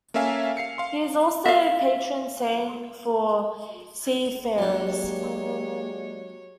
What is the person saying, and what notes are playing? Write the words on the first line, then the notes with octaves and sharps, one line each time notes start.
He is also patron saint for seafarers.
A#3 C#4 A4 E5 F5 G#5
F5 C7 C#7
F5 C6
E5 F5
F#3 G#3 A#3 D4 G4 C#5 D5